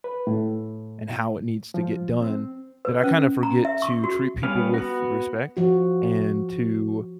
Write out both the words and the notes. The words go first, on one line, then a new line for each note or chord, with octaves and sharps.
and how it needs to get done, that I kind of forget to treat people with respect, and to
B4
A2
F3
C4
B4
C#4
A#5
E5
C#6
F#4
G3 B3 C#4 F5
B3 F#4
F3 F#4